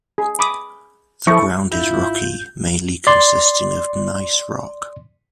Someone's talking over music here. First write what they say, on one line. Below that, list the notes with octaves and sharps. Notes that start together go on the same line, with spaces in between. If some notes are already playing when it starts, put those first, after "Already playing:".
The ground is rocky, mainly consisting of gneiss rock.
G#4
B5 D6 D#6
F3 E4 A4 C#6
G#1 D4 E4 F4 G6
D5 C6